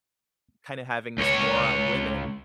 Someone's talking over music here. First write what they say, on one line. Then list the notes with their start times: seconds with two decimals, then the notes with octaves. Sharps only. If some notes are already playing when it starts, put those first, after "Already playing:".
kinda having this war on women,
1.18 C#2 C#5